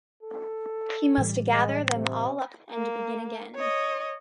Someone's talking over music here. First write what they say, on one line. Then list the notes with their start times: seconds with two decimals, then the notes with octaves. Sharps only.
He must gather them all up and begin again.
0.23 A4
1.18 A2 E3 G3
1.52 G#3
1.93 C3
2.71 A#3
3.55 C#5 D#5